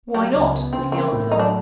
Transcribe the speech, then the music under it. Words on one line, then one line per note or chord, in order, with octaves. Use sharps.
"Why not?" was the answer.
F#3 G3
C#2
B3
C#3 C4
A#3 C4
A2
F#3 D#4
D4